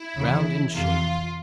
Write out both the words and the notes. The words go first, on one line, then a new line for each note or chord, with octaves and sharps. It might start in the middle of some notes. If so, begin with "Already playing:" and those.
Round in shape.
Already playing: E4
E2 C#3 E3
F2 C3 E3 F4